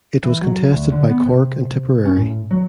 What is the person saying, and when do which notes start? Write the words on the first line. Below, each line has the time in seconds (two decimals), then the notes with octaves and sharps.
It was contested by Cork and Tipperary.
0.24 E3
0.42 F#3
0.71 D2
0.92 D3
1.10 B3
1.26 C3
2.05 C#4
2.18 A2
2.51 F#3